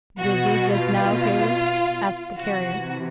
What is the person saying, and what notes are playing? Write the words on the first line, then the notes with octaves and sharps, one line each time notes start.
"Busy just now, Caleb?" asked the Carrier.
B2 F#4
F4
C3 E3 F#4